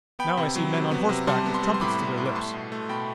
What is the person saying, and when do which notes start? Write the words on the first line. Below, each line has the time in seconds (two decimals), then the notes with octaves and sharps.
Now I see men on horseback with trumpets to their lips.
0.19 B3 G5 B5
0.37 C3
0.56 F#3
0.74 C3
0.91 B3
1.09 C3
1.27 G3 A5 C6
1.46 B3
1.54 A5 C6
1.63 G3
1.74 C6
1.81 A2 B5 D6
1.99 B3
2.17 A2
2.25 D6
2.35 A3 A5 C6
2.54 B2
2.72 A3
2.89 B2 G5 B5